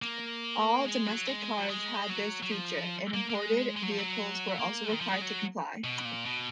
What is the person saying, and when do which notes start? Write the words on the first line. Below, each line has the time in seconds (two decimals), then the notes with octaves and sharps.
All 'domestic' cars had this feature, and imported vehicles were also required to comply.
0.02 A#3
0.85 G#3
1.06 F#3
1.27 G#3
1.58 F#3
1.69 G#3
2.10 F#3
2.43 F#3
2.51 F3
3.14 A#3
3.30 A#3
3.35 G#3
3.76 G#3
3.83 F#3
3.91 F3
3.98 F#3
4.59 A#3
4.92 D#3
5.01 F3
5.12 G#3
5.21 F#3
5.84 B2
6.05 A#2
6.25 B2